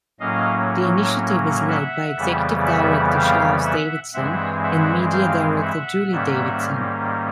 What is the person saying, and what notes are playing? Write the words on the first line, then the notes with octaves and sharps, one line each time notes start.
The initiative is led by Executive Director Charles Davidson and Media Director Julie Davidson.
A2 F#3 A#3 C#4 D#5 F5
E5 F#5
F2 C#3 E3 G3 B3
E5 F#5
F5 G5
E5 F#5
G2 E3 G#3 C4 E5 F#5
E5 F#5
F5 G5
E5 F#5
G#2 D#3 G3 A#3 C#4